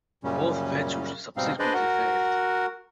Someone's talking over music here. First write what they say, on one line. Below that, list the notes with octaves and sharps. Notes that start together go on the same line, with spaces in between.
Both ventures subsequently failed.
F#2 A#2 C#3 G3 C#4
G#2 B2 G3 C4 D#4 F5
D4 G#4 B4 C5 D5 D#5
F#4 A#4 F#5